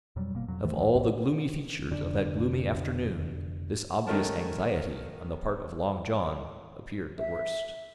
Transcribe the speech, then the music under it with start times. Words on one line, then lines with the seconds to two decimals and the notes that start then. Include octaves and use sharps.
Of all the gloomy features of that gloomy afternoon, this obvious anxiety on the part of Long John appeared the worst.
0.16 F2 B2 F#3 G3
0.33 F#1 B2 A#3
0.48 F2 F#3
0.64 E2 D#3 E3 A3
0.79 C#2 E3
0.95 A#1 F2 A2 A#3
1.90 F1 D3 D4
4.07 D#3 G#3 A3 C#4 A#4 A5
7.19 E5